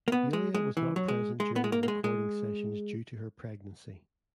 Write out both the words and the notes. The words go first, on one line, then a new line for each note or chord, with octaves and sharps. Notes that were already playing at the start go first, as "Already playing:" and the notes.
Yulia was not present during the recording sessions due to her pregnancy.
A#3
B3
G#3
G#3
E3
F#3
G#3
G#3
B3
G#3
A#3
A#3
G#3
G#3